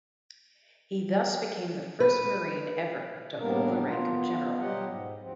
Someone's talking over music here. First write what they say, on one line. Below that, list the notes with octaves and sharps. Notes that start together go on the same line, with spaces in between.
He thus became the first Marine ever to hold the rank of General.
B4
A2 G3 A#3 B3 D4 A#4
B3 F4
B2 F#3 G3 G4 D#5 F#5
G#2
D2 F3 C4